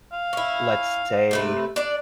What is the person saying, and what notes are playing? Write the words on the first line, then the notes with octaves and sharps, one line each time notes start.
let's say,
F5
C#4 E4
C3 A3 B4
D4 D5